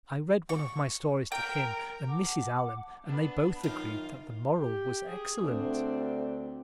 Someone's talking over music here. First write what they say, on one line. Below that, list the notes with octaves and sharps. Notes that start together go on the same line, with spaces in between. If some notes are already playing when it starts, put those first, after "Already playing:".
I read one of my stories to him and Mrs. Allan and they both agreed that the moral was excellent.
C#6
A#4 G5
F#5 A5 D6
B3 D4
F#2 D#3 F4 F5
G4
G#4
D2 C4 D4